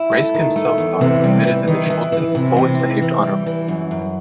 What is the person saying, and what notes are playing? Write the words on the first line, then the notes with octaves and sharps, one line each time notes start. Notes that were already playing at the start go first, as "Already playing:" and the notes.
Reiske himself, however, admitted that Schultens always behaved honourably to him.
Already playing: E4
A3
D#3
A3
E2
C3 E3
G3
E3
D#3 E3
E3
E3
C3 E3
C4
E3
E3
G3
E3
F#2
F#2